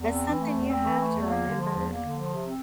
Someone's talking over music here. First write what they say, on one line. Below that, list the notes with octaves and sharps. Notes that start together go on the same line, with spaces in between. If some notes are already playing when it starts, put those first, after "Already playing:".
That's something you have to remember.
Already playing: E2
C4
E3
A3
E2
C4
E3
A3
E2
A#3
D3
F3
E2
A#3
D3
F3
C3
C4